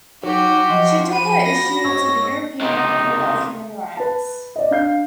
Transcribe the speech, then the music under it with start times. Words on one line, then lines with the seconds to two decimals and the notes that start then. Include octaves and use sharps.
She took her issue to the European Court of Human Rights.
0.23 F#3 D#4 F#4 G4
0.69 F3 D#5 C6
1.12 F#4 B5 D#7
1.46 A#6
1.84 G#2 C#5 E6
2.61 C#2 C3 D#4
3.97 B4 A5
4.56 D5 D#5
4.71 D4 F5 G6 C7